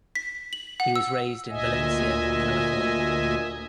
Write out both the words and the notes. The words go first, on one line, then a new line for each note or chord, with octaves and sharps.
He was raised in Valencia, California.
B6
F#7
F#5
E6
D2 A#2 D#5 E5 G#5